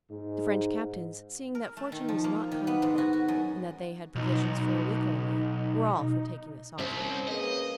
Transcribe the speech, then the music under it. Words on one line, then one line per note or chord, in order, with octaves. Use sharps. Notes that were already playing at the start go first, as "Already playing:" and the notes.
The French captains, seeing that fortune was not kind to them, and that they had provisions for a week only, were all for taking this offer.
G#2
A#4
A3
D#3
F3
A#3
D#3
B3
G#2
F#4
F#4
F#2
B1 D#4
C2 C#4 C5 E5
A#3 G#4 B4 D#5